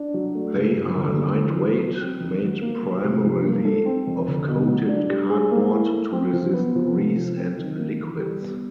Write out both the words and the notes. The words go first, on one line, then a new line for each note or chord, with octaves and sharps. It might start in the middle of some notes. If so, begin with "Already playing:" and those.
They are lightweight, made primarily of coated cardboard to resist grease and liquids.
Already playing: D4
F#3
A3
C#3
G2
D3
A#3
E3
C#4
F#3
C4
D#3
F#4
A#3
F#3
C3
F3
A#3
A4
C4
F2
D3
B2
F#3
D4
G3
G#4
A#3
E4
A3
C4
F3
B3
F3
C3
F3
C4
D#3
A#3
E3
G3
B3